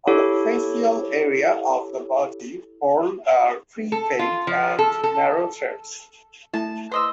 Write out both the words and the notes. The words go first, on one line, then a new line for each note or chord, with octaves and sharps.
On the fasciole area of the body whorl are three faint and narrow threads.
E4 G4 A4 C#5
A4
F4
F3
A4
A4
A3 E4 A5
B4 C5 D#5 E6